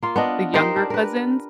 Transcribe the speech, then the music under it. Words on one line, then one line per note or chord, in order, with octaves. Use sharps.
the younger cousins
A#3 F4
B3 D4 D#5
D#4 G4 A#4 C5
D4
A#4 B4